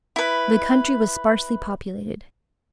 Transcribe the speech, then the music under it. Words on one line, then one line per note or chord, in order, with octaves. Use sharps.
The country was sparsely populated.
E4 B4